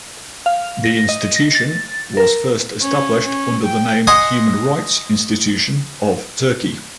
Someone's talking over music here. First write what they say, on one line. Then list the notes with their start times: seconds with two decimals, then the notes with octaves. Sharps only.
The institution was first established under the name "Human Rights Institution of Turkey".
0.46 F5
0.84 A#6
1.09 D#5
1.36 A#6
1.55 A6
2.17 A#4
2.81 C#4
3.24 C#4
3.63 G5
4.07 D#5 F#5 G#5 C6 D#6